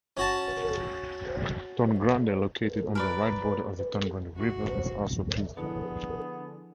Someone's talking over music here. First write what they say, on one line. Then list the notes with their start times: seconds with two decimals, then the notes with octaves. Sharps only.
Tonnegrande, located on the right border of the Tonnegrande River is also peaceful.
0.17 C#4 F#4 A5
2.95 A#4 B4 D5
4.38 F#4
5.57 D3 F3 B3 E4 G#4